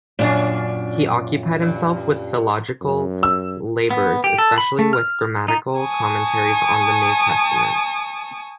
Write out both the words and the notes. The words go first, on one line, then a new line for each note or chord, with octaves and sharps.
He occupied himself with philological labors, especially with grammatical commentaries on the New Testament.
F#2 A#2 C#4 D4
G2
F#2
E6
B3
G4
A4
B5
A3
F6
D#4
G#5 A5 C#6 D#6